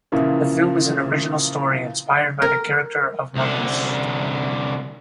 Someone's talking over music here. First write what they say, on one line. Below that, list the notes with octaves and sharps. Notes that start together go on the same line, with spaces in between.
The film is an original story inspired by the character of Mabuse.
A#2 C#3 E3 F3 E4 A#4
A#4
C2 D3